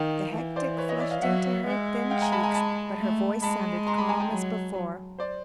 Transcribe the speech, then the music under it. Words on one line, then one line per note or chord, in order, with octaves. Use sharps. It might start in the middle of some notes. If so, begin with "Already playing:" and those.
The hectic flushed into her thin cheeks, but her voice sounded calm as before.
Already playing: D#3 F5 G5
E3
C5 D5
B4 C#5
C#5 D#5
D5 E5
D#5 F5
F#3 E5 F#5
G#3
F5 G5
G#5 A#5
A5 B5
G#5 A#5
A5 B5
A3
G#3 A5 B5
A#5 C6
A5 B5
G#5 A#5
G5 A5
F#3
C5 D5